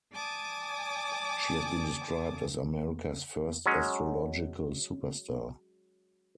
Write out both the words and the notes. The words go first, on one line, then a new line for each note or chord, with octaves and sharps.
She has been described as "America's first astrological superstar".
D5 G#5 A5 D6 D#6
F#3 G#3 C#4